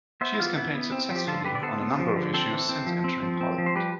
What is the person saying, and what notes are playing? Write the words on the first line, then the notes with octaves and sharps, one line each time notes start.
She has campaigned successfully on a number of issues since entering parliament.
B3 C5 E5
E4
E3 F4
B3 E4
B3
C4
F3
G4
D3 F4 A4
D3 G4 B4
D5
B3 A4 C5
B3
F3
D3
C4 A4 C5
E3
C4
F3
C4
F3
C4
F3
C5
G3 G4 B4